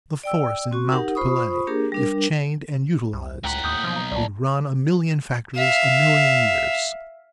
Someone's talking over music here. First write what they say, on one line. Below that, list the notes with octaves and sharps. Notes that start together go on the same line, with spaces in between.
The force in Mount Pelee, if chained and utilized, would run a million factories a million years.
D5 G5 E6
C4 F#4 C#6
D#4 G4 A#4 F#5
F4 C5 B5 C#6 D#6
A#3 D4 G4 G#4 A#4
G3 D4 A#4
C2
C#2 A2 F#5 G5 A#5 B6
D#2 A#3 D#6 G6
B1 F3
A#5
C2 D5 A5
E5 F5